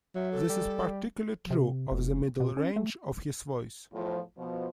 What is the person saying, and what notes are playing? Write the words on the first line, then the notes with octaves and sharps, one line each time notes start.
This is particularly true of the middle range of his voice.
F#3 E5
A4
G3
C3
F1
B2
C#4
A3
E2 A2 F3
B2 F3